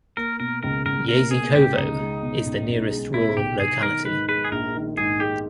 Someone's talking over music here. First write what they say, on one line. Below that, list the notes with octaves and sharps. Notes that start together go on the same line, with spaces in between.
Yazykovo is the nearest rural locality.
A#3 A#4
B2 A#4
C#2 A#4
C#2 A#4
A#3 A#4
B2 G#4
C#2 G4
C#2 D#4
G#3
B2
B1
B1
G#3
B2 E4
B1 G4
B1 G#4
D#3 A#4
G#2 B4
G#3 B4
G#4
A#1 A#4
D#3
G#2 G#4
G#3 G4